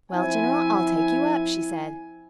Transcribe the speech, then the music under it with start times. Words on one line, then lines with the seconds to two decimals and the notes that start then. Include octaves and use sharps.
"Well, general, I'll take you up," she said.
0.12 F3 C4 E4 E5 G#5